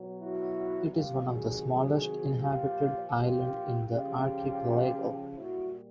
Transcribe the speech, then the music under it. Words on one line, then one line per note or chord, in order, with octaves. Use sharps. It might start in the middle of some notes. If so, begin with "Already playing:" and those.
It is one of the smallest inhabited islands in the archipelago.
Already playing: B2 F#3
E4 F#4
C3 D#3 F#3 F4 G4
F#4 G#4
F#4 G#4
A#2 F3 F4 G4
F4 G4
C#3 F3 F4 G4
A#2 G3 E4 F#4